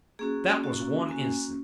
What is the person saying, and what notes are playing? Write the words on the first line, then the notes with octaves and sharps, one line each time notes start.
That was one instance.
A#3 C#4 F#4 G#4
A#3 C#4 F#4
A#3 C#4 F#4 G#5